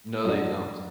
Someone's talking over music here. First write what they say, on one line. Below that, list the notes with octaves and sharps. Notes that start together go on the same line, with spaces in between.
No, they don't.
F#2 F#3 D4